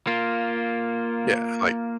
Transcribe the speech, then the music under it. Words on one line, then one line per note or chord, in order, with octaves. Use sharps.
Yeah, like
A#3 F4